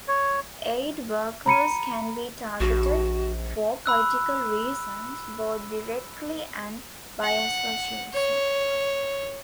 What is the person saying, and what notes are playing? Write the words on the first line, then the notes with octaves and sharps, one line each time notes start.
Aid workers can be targeted for political reasons both directly and by association.
C#5
A#5 B5 C#7 D#7
A#1 F#4
B5 E6 F#6
F#5
C#5